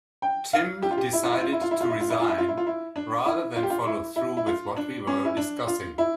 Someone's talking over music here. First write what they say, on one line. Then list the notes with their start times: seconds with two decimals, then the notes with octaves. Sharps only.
Tim decided to resign rather than follow through with what we were discussing.
0.22 G5
0.53 F5
0.82 G4
0.91 F4
0.98 G4
1.13 E4
1.24 F4
1.32 E4
1.42 F4
1.52 E4
1.61 F4
1.71 E4
1.81 F4
1.90 E4
2.00 F4
2.10 E4
2.20 F4
2.29 E4
2.38 F4
2.48 E4
2.57 F4
2.67 E4
2.96 D4
3.26 E4
3.56 F4
3.63 G4
3.70 F4
3.86 E4
4.16 E4
4.37 E4
4.47 F4
4.77 D4
5.07 C#4
5.25 E4
5.37 D4
5.67 F4
5.98 E4